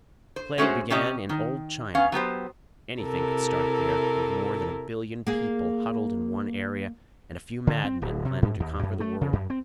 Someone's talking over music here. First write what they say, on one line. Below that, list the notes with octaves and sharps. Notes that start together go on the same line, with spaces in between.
The plague began in old China; anything could start there, with more than a billion people huddled in one area and a few madmen planning to conquer the world.
C5
G#3 A3 C#4 E4 F#4 C5
C3 C#4 G4 D#5
D#3
B3 C#4 F5
F#3 B3 G4 C5
C3 E4 A4 A#4
A#3 G#4
D3
C4
D1
C3
G#2
D#2
F#2
A3
C#3
F#2
C4